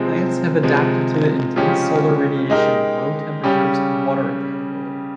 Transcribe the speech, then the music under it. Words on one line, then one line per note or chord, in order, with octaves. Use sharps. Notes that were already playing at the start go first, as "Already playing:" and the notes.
Plants have adapted to the intense solar radiation, low temperatures and water availability.
Already playing: C3 F3 G#3 C4
C3 F3 G#3
C#3 F3 G#3 C#4 G4
G#3 D#4 G4 A#4
C#3 G3 C#4 G4